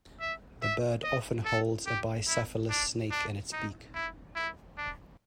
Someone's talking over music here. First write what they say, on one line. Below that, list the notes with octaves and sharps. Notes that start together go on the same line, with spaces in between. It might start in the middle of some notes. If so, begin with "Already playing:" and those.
The bird often holds a bicephalous snake in its beak.
E5
E5
D#5
A4
G4
E4
D4
D4
D#4
E4
E4
D4